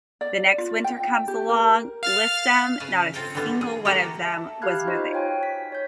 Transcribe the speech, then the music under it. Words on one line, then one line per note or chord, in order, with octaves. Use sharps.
the next winter comes along, list 'em, not a single one of them was moving
D5
F4
G5
G4
A#4
F5 F6 A6
C#3 G#4 B4 A5
C4 F4 A4 F5 G5
D3 E3 G3 B3 F4
G#4
A#3 E4 F#4 G4 A4
E5 A5
G4 F5 B5 F6 F#6 G#6
D#4 F4 F#4 C5 D#5
C#5 G5 G#5
B6
C#5 G6